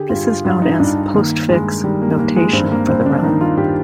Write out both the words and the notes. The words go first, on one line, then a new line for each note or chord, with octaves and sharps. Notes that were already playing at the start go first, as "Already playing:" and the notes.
This is known as "postfix" notation for the realm.
Already playing: D3 G4 G#4
G2 F4
F4
G2 F4
D#4
G2 D4
D#3 A#3
G2 G#3
D#3 G3
A#3
D#3 A#3
G#3
G2 C4
A#3
G2 C4
D4
D#3 D#4
F4
G2 G4